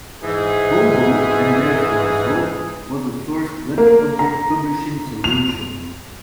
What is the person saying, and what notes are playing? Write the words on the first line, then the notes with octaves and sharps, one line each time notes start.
Bobo, and therefore Zope, was the first Web object publishing solution.
G#2 E3 G#4
A#3
A#5
F7